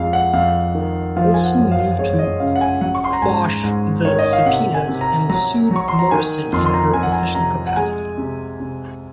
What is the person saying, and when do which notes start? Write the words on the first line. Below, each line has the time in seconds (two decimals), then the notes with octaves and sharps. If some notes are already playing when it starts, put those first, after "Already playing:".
Olson moved to quash the subpoenas and sued Morrison in her official capacity.
Already playing: F2 G#3 F5
0.13 F#5
0.33 F2 F5
0.75 D#3
1.17 F3 F5
1.34 G#5
1.44 F#5
1.58 F#2
1.72 F5
1.98 G#3 C#5
2.19 D#5
2.40 C#3 F5
2.56 F#5
2.61 G#5
2.81 F#3 F#5
2.95 C#6
3.04 C6
3.13 A#5
3.22 G#2 G#5
3.64 G#2
4.05 D#3 C#5
4.19 D#5
4.33 F5
4.46 C3 F#5
4.74 G#5
4.88 C3
5.01 A#5
5.29 F#3 A#5
5.71 F#3 C#6
5.88 C6
5.99 A#5
6.11 D#3 G#5
6.52 F2 C6
6.65 C6
6.74 A#5
6.94 F2 G#5
7.03 F#5
7.12 G#5
7.35 C3 A#5
7.67 F#5
7.76 G#3 G#5
8.18 C3
8.60 C3